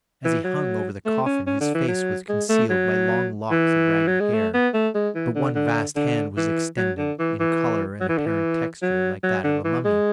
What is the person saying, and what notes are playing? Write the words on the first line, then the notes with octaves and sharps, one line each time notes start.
As he hung over the coffin, his face was concealed by long locks of ragged hair; but one vast hand was extended, in colour and apparent texture like that of a mummy.
E3
F#3
A3
C#4
C#4
D3
E3
F#3
G#3
A3
F#3
E3
F#3
G#3
A3
B3
A3
G#3
E3
D3
D3
D3
E3
F#3
D3
E3
E3
F#3
E3
D3
E3
F#3
F#3
D3
E3
G#3